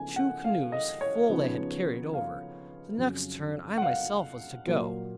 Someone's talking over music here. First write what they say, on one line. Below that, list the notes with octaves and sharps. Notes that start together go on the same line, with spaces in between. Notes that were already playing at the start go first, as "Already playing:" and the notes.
Two canoes full they had carried over; the next turn I myself was to go.
Already playing: C#3 F3 B3 D#4 G#5
F#5
F5
D#5
C#5
C#3 F3 B3 D#4
F5
F2 C#3 F#3 C#4
F#5
F5
A#2 F#3 A#3